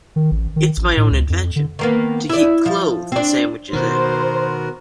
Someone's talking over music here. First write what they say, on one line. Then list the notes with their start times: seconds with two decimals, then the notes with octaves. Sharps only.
It’s my own invention—to keep clothes and sandwiches in.
0.16 D#3
0.31 A1
0.56 D#3
0.77 A1
0.97 A2
1.11 C#2
1.30 F2
1.56 D3
1.79 D#3 A#3 B3
2.30 E4 D5
2.66 F3
3.12 C4 D4
3.73 B2 D#3 B3 F#4 A#4 C5